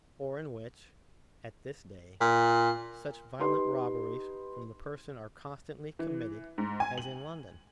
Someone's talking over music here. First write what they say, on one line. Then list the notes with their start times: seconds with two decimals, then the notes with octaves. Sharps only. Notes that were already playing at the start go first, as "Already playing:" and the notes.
Or in which, at this day, such violent robberies from the person are constantly committed as in London?
2.21 A#2
3.39 D#4 G4 B4 C6
5.99 E3
6.58 G#2
6.80 G#5
6.98 F#7